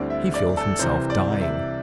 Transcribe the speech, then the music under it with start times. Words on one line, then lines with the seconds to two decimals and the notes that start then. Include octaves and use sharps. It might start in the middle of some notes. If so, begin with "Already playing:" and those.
He feels himself dying.
Already playing: D2 D3 G3 C4 E4 D5
0.10 E5
0.34 D5
0.57 A4
0.79 C2 C3 E3 G3 C5
1.10 D5
1.41 E5